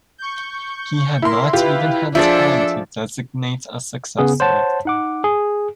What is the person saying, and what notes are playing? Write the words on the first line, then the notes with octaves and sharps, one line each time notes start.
He had not even had time to designate a successor.
C#6 G6
E4 A#4 C6
E4 F4 G4 B4
F3 D4 G#4 A4 D5 E5 E6 A6
C#3 B3 G#4
C5 C#5 F#5 A5
D#4 F#5 D6
G#4